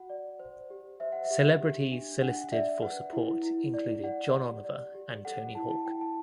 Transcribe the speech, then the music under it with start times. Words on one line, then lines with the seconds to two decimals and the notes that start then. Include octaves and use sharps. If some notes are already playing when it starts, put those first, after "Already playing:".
Celebrities solicited for support included John Oliver and Tony Hawk.
Already playing: F#4 F#5
0.10 D5
0.39 C5
0.70 G4
1.00 C5 E5
1.12 F#5
1.24 E5
1.31 G4
1.61 G4
1.92 D4
2.21 D4 F#5
2.52 D5 E5
2.82 B4 F#5
3.13 E4
3.43 E4
3.74 D5
4.04 D5 F#5
4.34 G4
4.64 D5
4.95 G4
5.25 A4 F#5
5.55 E4 A5
5.70 A5
5.86 E4 G5
6.01 A5